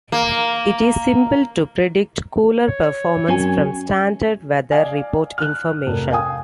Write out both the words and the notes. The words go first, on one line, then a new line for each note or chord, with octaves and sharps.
It is simple to predict cooler performance from standard weather report information.
A#3
C#5
F#2 C4 C#4 G#5
D5 D#5 F5 G#5
F6 F#6
F1 A#4
F5 G5 G#5 D#6